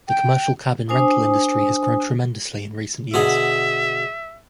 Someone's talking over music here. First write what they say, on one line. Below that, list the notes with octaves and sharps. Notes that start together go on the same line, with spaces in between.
The commercial cabin rental industry has grown tremendously in recent years.
G5
D4 C5 G#5 D#6
B2 D3 G#4 E5